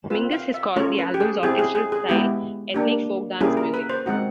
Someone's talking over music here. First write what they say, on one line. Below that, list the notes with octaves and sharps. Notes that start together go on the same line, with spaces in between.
Mingus has called the album's orchestral style "ethnic folk-dance music".
C4 F4 B4
F5
E5
A3 C#4 F4 C#5
B4
G4
G#4
C4 E4 G4 G#4
G#4
G#4
G#4
G#3 B3 E4 G4
A#3 D4 G4
G3 A#3 C#4 E4 G4 G#4
A#4
B4
C5
G#3 C4 D#4 F#4 F#5